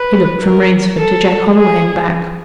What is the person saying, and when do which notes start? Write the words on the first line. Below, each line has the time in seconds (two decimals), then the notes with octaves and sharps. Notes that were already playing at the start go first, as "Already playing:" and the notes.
He looked from Rainsford to Jack Holloway and back.
Already playing: B4
0.43 A#4
0.98 A4
1.54 G#4